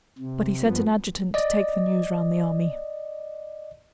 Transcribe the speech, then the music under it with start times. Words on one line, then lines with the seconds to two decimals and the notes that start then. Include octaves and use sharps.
But he sent an adjutant to take the news round the army.
0.18 C3
0.63 G2 F3 B3
1.34 D5 D#5